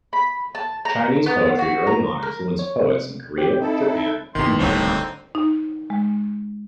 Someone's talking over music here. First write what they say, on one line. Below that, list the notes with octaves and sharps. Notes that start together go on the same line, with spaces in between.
Chinese poetry early on influenced poets in Korea, Japan, and Vietnam.
B5
A5
A#5
B3
F#4
A#5
A#4
C#5
C3
C4 G4
D#4 E4 A4
G1 E2 C3 D#3 C6
D1 C2 D3 C4 D#4 C5 C#5
D#4
G#3